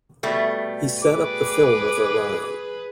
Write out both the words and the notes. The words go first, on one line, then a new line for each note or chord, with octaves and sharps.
He set up the film with Orion.
B2 G3 A3
G#4 B4 D6